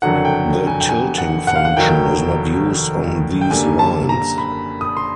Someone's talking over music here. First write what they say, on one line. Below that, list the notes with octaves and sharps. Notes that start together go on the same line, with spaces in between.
The tilting function is not used on these lines.
F#1 F2 D3 F#3 F#5
G5
G#5
G5
G#5
F#5
F#5
F5
F#5
F1 D#2 D#3 F#3 G5
G5
F#2 D3 G3 A#3 G#5
A5
A#5
B5
D#6
C6